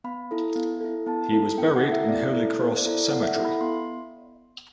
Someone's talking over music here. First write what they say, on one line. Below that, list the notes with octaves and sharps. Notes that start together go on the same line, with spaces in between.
He was buried in Holy Cross Cemetery.
B3 B5
E4 A4
B3
E4 A4
B3 A5
E4 A4
B3 G5
F#5
A4
E4 E5
B3 D5
E4 A4
B3 C5
D5
E4 A4
D5
B3 F#5
E5
F#5
E4 A4
B5
B3 C6